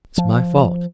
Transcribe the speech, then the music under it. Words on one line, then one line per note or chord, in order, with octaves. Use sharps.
It's my fault.
F3